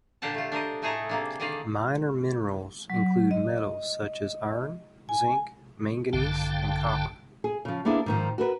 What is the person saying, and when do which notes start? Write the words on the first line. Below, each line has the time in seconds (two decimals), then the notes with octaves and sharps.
"Minor minerals" include metals such as iron, zinc, manganese and copper.
0.22 A#2 D3 G4 F5 F#5 A5
0.34 A3 F4
0.52 D4 A#4 C5 D#5
0.82 A2 A3 D#4 G#4 A4 A#5
1.09 C3 A#3 D4
1.40 D3 D#3 D5 D#5 F5
2.90 F#3
3.31 D#5
5.09 G#5
6.13 A#1 G2 D3 F5 G5 A5
7.44 G#4
7.65 C#3 F3
7.85 A#3 B3 D4 E4 G#4
8.06 G#2 D#3 F3
8.38 F#4 A#4 B4